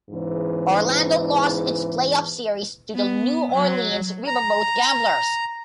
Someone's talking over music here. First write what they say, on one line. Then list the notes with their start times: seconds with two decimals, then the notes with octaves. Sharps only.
Orlando lost its playoff series to the New Orleans Riverboat Gamblers.
0.10 E2 G#2 C#3 E3
2.96 B3
3.53 F#3
4.27 A#5